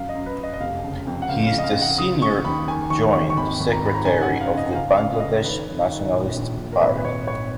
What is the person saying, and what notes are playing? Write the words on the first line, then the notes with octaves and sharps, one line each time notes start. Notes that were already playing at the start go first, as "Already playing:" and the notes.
He is the Senior Joint Secretary of the Bangladesh Nationalist Party.
Already playing: F#2 F5
D#5
F#2
B4
F#2
D#5
D#5
F1 F5
C#3
F2
F#5
C#2 F5
F5
C#3
D#5
F5
C#2
F#5
C#3 D#6
C#3 C#6
D#2 B5
D#3 G#5
D#2 C#6
D#2 C#6
C#6
G#1 B5
G#1
A#5
G#2 B5
A#5
C#3 G#5
F#5
F#2
F5
C#3
D#5
C#3 F5
C#3 F5
C#2 D#5
D#3 B4
D#3
D#3
A#2
A#1
A#2
A#4
G#1 B4
B4
G#1 C#5
G#1 C#5